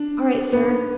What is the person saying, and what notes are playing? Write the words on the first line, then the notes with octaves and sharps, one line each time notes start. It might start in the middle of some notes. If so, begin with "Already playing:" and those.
'All right, Sir.
Already playing: D4
B3